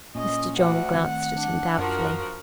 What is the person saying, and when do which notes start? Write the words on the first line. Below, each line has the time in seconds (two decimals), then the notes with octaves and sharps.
Mr. John glanced at him doubtfully.
0.15 A#2 C#4 D#5
0.57 D2 F#5
0.94 D#3 A3 C4
1.36 D4
1.78 F#2 F3 F#4 A#4